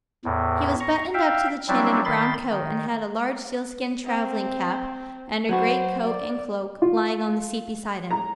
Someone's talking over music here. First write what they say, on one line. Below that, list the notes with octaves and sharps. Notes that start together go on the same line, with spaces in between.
He was buttoned up to the chin in a brown coat; and had a large sealskin travelling-cap, and a greatcoat and cloak, lying on the seat beside him.
E2 A2
A#5 C#6
E5 F5 G5
F#3 G3 C4 D4 E4
D#3 B5 C6 A6
D#3
C4
F#3 B3 F#4 C5
D5
F4
A#5